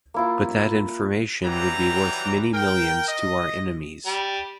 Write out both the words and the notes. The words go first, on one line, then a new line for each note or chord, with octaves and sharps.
But that information would be worth many millions to our enemies.
A#3 E4 F4
E3 F#3 G3 G4 A#5
A#4 G5
D#5
G3